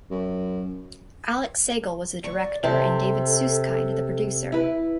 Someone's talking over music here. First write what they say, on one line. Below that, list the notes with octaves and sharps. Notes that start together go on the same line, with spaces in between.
Alex Segal was the director and David Susskind the producer.
F#2
D5 C#6
C3 C4 A4 A5
E4 B4